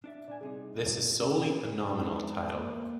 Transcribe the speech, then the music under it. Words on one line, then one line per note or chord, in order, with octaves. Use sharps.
This is solely a nominal title.
D4 D5 E5
A#2 D4 D5 G#5
C2 C3 D#4 G#4
C#3
G#2
A#3